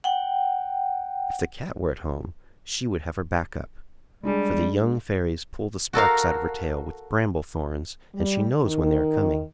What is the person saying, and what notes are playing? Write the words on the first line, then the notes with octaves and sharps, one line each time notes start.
If the cat were at home, she would have her back up; for the young fairies pull the sparks out of her tail with bramble thorns, and she knows when they are coming.
F#5 G5
G3 G#3 D4 G#4
F#4 A4 A#4 F5
G3
D#3